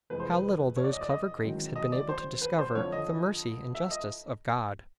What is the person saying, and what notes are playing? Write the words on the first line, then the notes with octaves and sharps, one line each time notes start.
How little those clever Greeks had been able to discover of the mercy and justice of God!
F1 F2 C3 E3 G#3 B4
C5
B4
C#5
D5
D#5
D5
D#5
A1 G#2 D#3 F#3
D#5
D5
C5
B4
C5
F2 D3 F3 C#5
D#5
E5
D#5